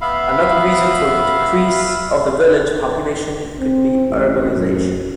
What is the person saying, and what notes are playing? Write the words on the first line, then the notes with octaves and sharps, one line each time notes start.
Another reason for the decrease of the village population could be Urbanisation.
B3 E5 F5 B5
C4
A1
F#2